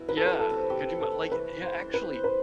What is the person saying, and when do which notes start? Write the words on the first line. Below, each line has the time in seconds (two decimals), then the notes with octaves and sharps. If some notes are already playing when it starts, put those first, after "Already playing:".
Yeah. Could you ma like, yeah, actually
Already playing: B2 E4
0.08 F#3 B4
0.17 A4
0.26 B4
0.29 F#3
0.39 A4
0.50 C3
0.70 C4 G4
0.91 A3
1.01 A4
1.11 A3
1.32 E3 B4
1.52 E3
1.62 C5
1.73 E3
1.93 C4 B4
2.14 C5
2.24 B4